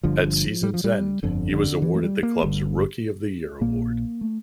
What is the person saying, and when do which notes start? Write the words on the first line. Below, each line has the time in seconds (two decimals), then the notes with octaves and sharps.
At season's end he was awarded the club's rookie of the year award.
0.03 G1 G2 D3 F3
0.63 G3
0.74 F3
0.84 G3
1.23 G1 F2 D3
1.53 D3
1.82 E3
1.95 A3
2.03 G3
2.23 A#3
2.43 G1 G2 D3
3.61 A#1 A#2 A#3
4.21 A3